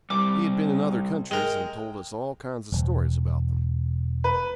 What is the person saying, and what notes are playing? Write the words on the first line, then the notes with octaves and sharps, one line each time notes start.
He had been in other countries, and told us all kinds of stories about them.
C3 G3 D6
G#3 A#4 G5
E1
B4